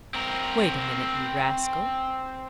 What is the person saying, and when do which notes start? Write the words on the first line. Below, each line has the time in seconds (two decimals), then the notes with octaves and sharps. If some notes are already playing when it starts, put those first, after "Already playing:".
Wait a minute, you rascal!
0.14 C4 A#4